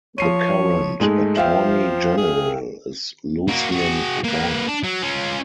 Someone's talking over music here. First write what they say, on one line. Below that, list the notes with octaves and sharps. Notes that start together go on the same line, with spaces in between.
The current Attorney-General is Lucien Wong.
F3 C#5 C7 D#7
G#2 G#3 A3
F3 E5 F5 G5
G#4
A#3 F#4
F#4 G#4
A#3 B4
D4
F#3
C#4 F4